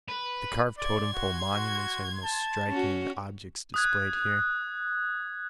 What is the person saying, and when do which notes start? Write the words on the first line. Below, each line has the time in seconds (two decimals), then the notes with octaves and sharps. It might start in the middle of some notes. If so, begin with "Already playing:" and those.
The carved totem-pole monuments are the most striking of the objects displayed here.
0.08 B4
0.78 D5 C6 G#6
1.13 F#4
1.53 F#4
2.24 A5
2.69 C#4 F#4
3.74 D#6 F#6 G#6